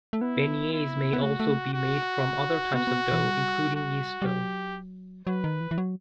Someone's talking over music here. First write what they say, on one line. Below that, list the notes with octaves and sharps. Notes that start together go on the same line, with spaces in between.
Beignets may also be made from other types of dough, including yeast dough.
A3
B3 E4
E4
B3
A3 F#4
A3
F#4
B3 F#4
B3
E3
G3
F#4
G3
F#3 G4
F#3 B4
D#3
E3
E3
F#3